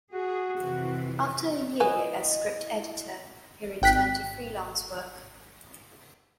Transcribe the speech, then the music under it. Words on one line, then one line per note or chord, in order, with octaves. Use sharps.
After a year as script editor he returned to freelance work.
F#4 G#4
F2 C3 E3
E4 B4 D#5 G#5
G#1 G5 F#6 B6